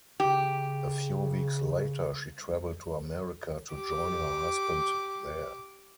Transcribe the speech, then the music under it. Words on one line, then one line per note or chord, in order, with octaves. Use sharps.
A few weeks later she traveled to America to join her husband there.
C#3 G4
G4 D6